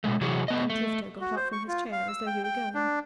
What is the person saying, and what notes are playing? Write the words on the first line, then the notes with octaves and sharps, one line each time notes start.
Then Tifto got up from his chair, as though he were going.
B2 G#3 A3
C3 E3 F#3 F#4 G#4
A3 B3 D#5
A3
F#4
C5
C#6
F4
F5
E6
G5
G5
D4